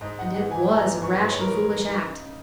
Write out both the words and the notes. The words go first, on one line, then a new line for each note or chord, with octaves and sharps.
And it WAS a rash and foolish act.
G#2 D#5
D#4 F#5
E3 F#5
E3 G#5
E3
A#5
B3
G#2 C#6
B5
G#2
C#5
G#2 A#4
E3
E3
D#4
C#3
C#3